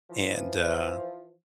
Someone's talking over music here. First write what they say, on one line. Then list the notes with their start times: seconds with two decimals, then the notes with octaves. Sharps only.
and, uh
0.10 E3 F3